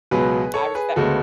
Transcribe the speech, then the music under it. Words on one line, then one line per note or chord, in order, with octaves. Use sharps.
I was set f
C#2 B2 F#3 B3 G#4 B4
A4 C#5
G#4 B4
D2 C#3 G#3 B3 F#4 A4